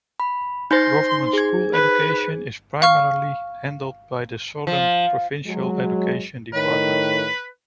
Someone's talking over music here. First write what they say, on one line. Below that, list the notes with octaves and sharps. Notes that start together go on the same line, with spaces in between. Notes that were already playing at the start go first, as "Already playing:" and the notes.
Government School education is primarily handled by the Southern Provincial Education Department.
B5
D#4 C5 C6 G6 A6 A#6
G#4 G#6
B4
F5 C#6 F6
F3
F#3 G#3
A2 D#3 B4 C#5